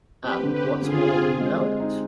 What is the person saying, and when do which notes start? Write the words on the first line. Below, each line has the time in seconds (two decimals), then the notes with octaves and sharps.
And, what's more, you know it.
0.23 C4 G4 B4
0.43 D3
0.53 G4 B4
0.63 C4
0.82 D3 F4 G#4
1.02 G4
1.22 C4
1.41 G#3
1.61 G#3
1.80 D#4